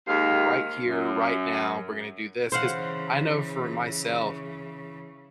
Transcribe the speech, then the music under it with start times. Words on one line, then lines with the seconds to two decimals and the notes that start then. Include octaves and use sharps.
right here, right now, we're gonna do this," 'cause I know for myself,
0.07 D#2 G#3 C5 F5
0.87 F#2
2.52 C#3 E3 C5 F5 F#5